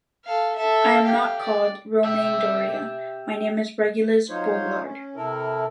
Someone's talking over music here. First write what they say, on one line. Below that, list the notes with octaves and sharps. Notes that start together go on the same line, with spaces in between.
I’m not called Romain Doria, my name is Régulus Boulard.
A4 F5
A4 E5
G4 F5
D5
G4 E5
F#3 D#4 F4 C5 C#5
C#4
C3 E4 A4 A#4